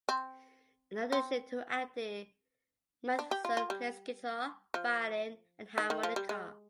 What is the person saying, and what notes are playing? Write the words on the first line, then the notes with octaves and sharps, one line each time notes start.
In addition to acting, Matheson plays guitar, violin and harmonica.
C4
C4
D4
G4
F4
F4
G3
F3
D#3
D#3
F3
G3
G#3